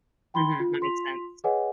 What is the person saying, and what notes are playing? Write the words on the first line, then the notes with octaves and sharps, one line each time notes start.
Mhm, that makes sense.
G5 B5 C6 G7
F4
F4 C6 B6 F7
G#4 B4 C#5 D#5 F#5 G#5